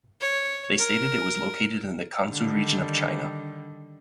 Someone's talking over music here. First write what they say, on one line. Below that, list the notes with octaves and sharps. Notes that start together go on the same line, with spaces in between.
They stated it was located in the Kansu region of China.
C#5
A#4
D3 D#3 G3